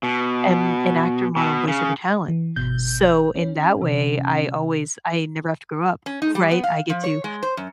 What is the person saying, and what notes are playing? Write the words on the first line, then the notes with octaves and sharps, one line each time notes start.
am an actor, model, and voice over talent. So in that way, I always I never have to grow up, right? I get to
B2
B2
C#3
E3
G1 B2 G6
C#4
C3 E3
C#4
D#4
G3
B3
F5
F3
C#5
G#3
C5
F#2